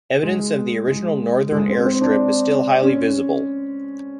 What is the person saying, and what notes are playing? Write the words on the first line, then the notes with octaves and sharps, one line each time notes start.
Evidence of the original northern airstrip is still highly visible.
G#3
G#3
G#3
C4
C4
D4
C#4